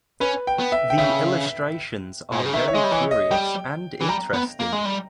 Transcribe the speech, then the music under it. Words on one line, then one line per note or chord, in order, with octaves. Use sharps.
The illustrations are very curious and interesting.
C#4 B4
G5
B3
E5
G5
C#3 E5
A#2
B2
C#3
D#3 E5
C#5
G#3 D#5
G3
E3 C#5
D#5
G3 G5
E3
G3 A#5
B3
A#3
G#3
G3